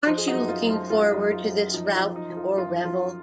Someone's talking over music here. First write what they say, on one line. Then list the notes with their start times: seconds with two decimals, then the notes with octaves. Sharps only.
Aren't you looking forward to this rout or revel?
0.06 F3 C5 D#5
0.18 G#4
0.28 D#4 F#4
0.34 F#2
0.48 F4
0.62 F#2
0.70 F4
0.90 F#2 F4
1.11 D#4
1.18 F#2
1.32 F4
1.46 F#2
1.74 F3 D#4
1.95 F4
2.02 F3
2.16 D#4
2.30 F3
2.37 F4
2.57 F#2 F4
2.85 F3 F4